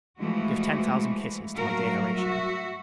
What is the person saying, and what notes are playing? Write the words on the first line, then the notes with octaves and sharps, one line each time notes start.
Give ten thousand kisses to my dear Horatia.
E3 F3 G#3 A3 F#4
G2 F#3 A3 F#4 A#4 F5
F#4 E5